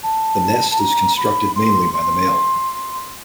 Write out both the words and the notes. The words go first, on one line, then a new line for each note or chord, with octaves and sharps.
The nest is constructed mainly by the male.
A5
A5
A#5
B5
C6
C6